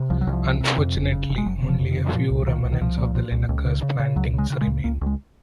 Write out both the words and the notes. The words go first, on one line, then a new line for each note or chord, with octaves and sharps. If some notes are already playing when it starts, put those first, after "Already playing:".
Unfortunately, only a few remnants of the Linaker's plantings remain.
Already playing: C3
C2 F3
F#3
C2
F3
C3
C3
F2
F#1
C#3
F#1
G#3
F#1 F#3
C#3
F3
F2
D#3
C#3
F#3
A#2 F3
C2
F3
A#2 D#3
C2
D#3
C2 F3
A#2
A#2
C2
C#2
C#3
C#3
C#3
C#2 F#3
C#3 G#3
C#3
G#3
C#2
C#2 A#3
C#2
G#3